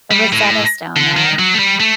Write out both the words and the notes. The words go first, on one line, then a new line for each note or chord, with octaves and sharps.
the Rosetta Stone, right?
G3
A2
D3
D#3
F#3
A3
G3
A3